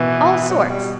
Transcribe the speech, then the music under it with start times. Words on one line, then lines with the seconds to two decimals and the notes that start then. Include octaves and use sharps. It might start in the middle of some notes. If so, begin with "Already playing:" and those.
All sorts.
Already playing: B2 E3
0.50 F#3
0.70 G3